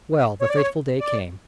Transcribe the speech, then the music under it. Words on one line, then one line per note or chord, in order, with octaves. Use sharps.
Well, the fateful day came.
C#5
D5
C#5
D5